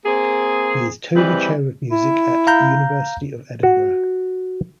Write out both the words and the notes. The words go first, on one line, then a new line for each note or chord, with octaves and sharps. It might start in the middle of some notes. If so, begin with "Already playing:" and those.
He is Tovey Chair of Music at University of Edinburgh.
A#3 C4 G#4
E3 G3 G#3 C4 B4
E4
F5 A#5 G6
F#4